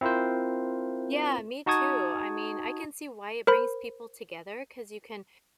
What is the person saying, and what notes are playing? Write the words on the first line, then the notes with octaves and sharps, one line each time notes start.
Yeah, me too, I mean, I can see why it brings people together, 'cause you can
C4 E4 F4 A#4 C5
D#4 F#4 A5 C#6 D#6 G#6
A#4 C5 B5